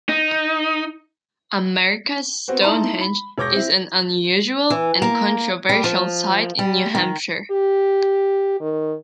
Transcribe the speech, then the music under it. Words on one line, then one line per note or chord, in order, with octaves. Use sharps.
America's Stonehenge is an unusual and controversial site in New Hampshire.
D#4
B3 C4 F#4 C5
D#4 E4 A5 A#5 C6
B5
E1 C#5 D6 G6 A#6
C4 E4
E3
A#3
G3
F3
G3
D#3
G4
D#3